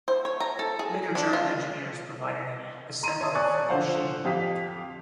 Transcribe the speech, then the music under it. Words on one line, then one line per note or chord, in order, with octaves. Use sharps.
Later German engineers provided an assembler for the machine.
C5
C#5
A#5
A4
G#4
D4
F4
A#5 C6 D#7
C#5 E5 A5 C6 D#6
D5 G#5 A5 C#6 D#6 F#6
D3 F3 C5 F5 F#5
F2 G4 F5 D#6 B6